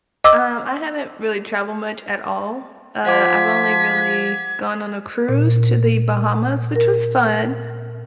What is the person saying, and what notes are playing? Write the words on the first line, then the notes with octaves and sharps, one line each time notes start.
Um, I haven't really traveled much at all. Uh, I've only really gone on a cruise to the Bahamas, which was fun.
D#5 D6 E6
F3 F#5 D6 G#6 B6
A#2
A#4